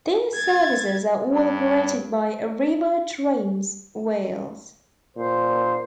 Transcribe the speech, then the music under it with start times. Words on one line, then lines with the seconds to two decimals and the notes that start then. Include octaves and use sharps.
These services are all operated by Arriva Trains Wales.
0.34 G#6 A6
1.32 G2
5.17 A#2 C5